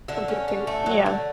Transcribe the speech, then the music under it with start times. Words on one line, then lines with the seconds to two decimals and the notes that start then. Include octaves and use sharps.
Would you agree with yeah.
0.08 D3 E5
0.28 C#4
0.48 D3
0.67 A3
0.86 F#3
1.06 D3